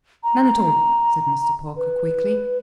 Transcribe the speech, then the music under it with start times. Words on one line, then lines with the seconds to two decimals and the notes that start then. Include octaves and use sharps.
"None at all," said Mr. Parker, quickly.
0.24 A#5
1.77 B4